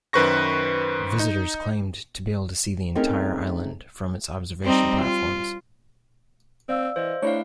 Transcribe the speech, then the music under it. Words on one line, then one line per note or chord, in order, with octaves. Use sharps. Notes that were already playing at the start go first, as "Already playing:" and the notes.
Visitors claimed to be able to see the entire island from its observation platforms.
F#2 D#3 B4 C5 C#6 A#6
D#4
A3 C4 C#4 D#4 G#4 A#4
G3 C4 D#4
F4
C4 D5 F5 E6
E3 C5 D#5
A3 D4 E4 C#5 F5